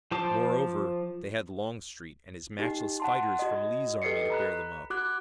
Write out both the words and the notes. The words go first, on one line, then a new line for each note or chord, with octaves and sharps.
Moreover, they had Longstreet and his matchless fighters from Lee's army to bear them up.
F3 C5 A5 D6
D#4 G4
F#5 A5 C6
F#4 D#5
G4 A4 B4 D#5 C7 C#7
A#5 B5 F#6
F#4 D6 F#6